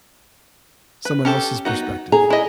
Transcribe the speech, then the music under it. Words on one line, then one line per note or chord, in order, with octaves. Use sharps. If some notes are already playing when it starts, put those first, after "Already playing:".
someone else's perspective.
B4
C#4 G4 A4
B3 D#4 F#4
G#4 A#5
E4 D#5